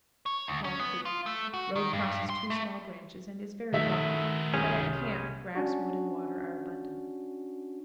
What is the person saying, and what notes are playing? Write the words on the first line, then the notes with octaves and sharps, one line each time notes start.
Small Creek.--Road crosses two small branches, and is very rocky, but at camp grass, wood, and water are abundant.
C#5
D2
C#4
B3
F4
A3
F#4
D#3
G2
C6
A3
D#3 A3 F#4 E5
C2 C#4 G#4
C#4 D4 F#4